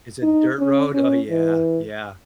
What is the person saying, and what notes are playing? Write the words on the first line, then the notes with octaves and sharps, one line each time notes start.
Is it dirt road? Oh, yeah, yeah.
D#4
C#4
C#4
E3